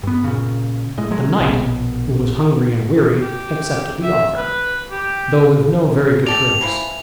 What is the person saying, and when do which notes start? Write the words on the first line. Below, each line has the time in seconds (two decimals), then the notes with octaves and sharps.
The knight, who was hungry and weary, accepted the offer, though with no very good grace.
0.03 G2 B3
0.24 A#2 C#3
0.97 A2 G#3
1.11 F#3 G#3
1.40 A#1 B2
3.22 G4
4.03 E5
4.37 B4
4.90 G4
6.26 G4 A4 D5 F7
6.61 E3 F3 E4